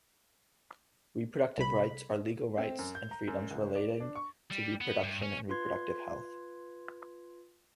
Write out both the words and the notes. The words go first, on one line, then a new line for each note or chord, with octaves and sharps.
Reproductive rights are legal rights and freedoms relating to reproduction and reproductive health.
C2 B5
C4
F#2
G6
A#5
F#2
C#2
D5
D4
C#6
G3
B3
G2
C#4
F4 B4 C6 G#6